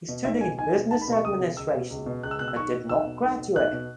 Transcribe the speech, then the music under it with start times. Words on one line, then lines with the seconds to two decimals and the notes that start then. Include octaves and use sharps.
He studied business administration, but did not graduate.
0.08 B2
0.25 B1 E5
0.41 B2 G#5
0.58 B1 G#5
0.75 B2
0.91 B1 A5
1.01 B5
1.07 B2
1.13 C#6
1.25 C#2 D#6
1.40 B2
1.57 C#2 E6
1.74 B2
1.90 C#2
2.06 B2
2.23 C#2 F#6
2.31 E6
2.39 B2 F#6
2.48 E6
2.56 B1 C#6
2.72 B2
2.89 B1 E6
3.06 B2
3.23 B1
3.39 B2
3.56 B1 F#6
3.72 B2